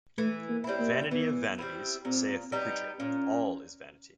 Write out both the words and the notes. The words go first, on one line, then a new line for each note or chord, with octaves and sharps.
Vanity of vanities, saith the preacher; all is vanity.
E3 A3
A#3
G3 C4 E4
A#3
E3 B3
G3 C4 E4
A#2 C4
G3 B3 D#4
A#2 C#4